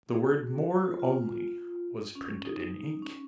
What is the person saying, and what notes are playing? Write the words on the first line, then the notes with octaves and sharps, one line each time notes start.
The word "moor" only was printed in ink.
G#4
F#4
F4
F4
F4
C#4
D#4
C#4